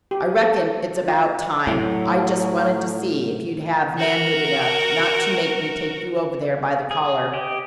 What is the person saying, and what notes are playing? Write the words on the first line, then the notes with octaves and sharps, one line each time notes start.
I reckon it's about time! I just wanted to see if you'd have manhood enough not to make me take you over there by the collar.
G4
A4
F4
A2 F#3
F#4 A#4
G#4
G4 D#5